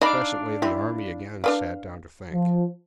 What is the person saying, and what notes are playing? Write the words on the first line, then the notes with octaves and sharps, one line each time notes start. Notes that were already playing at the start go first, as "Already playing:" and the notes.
Presently the army again sat down to think.
D4 D#4 D5 D#5 F5 B5 D6
C4 E4
D4 B4 D5 F5
F3